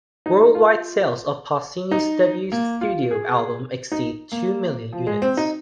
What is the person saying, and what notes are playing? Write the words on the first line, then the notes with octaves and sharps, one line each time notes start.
Worldwide sales of Pausini's debut studio album exceed two million units.
D#4
D#4
F4
D#4
A#3
F4
G#4
D#4
A#3
F3
G#3
C4
D#4